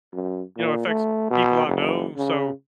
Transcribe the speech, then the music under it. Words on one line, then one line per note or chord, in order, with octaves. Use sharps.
you know, it affects people I know. So,
F#2
A#2
A3
B2
F#1
C#3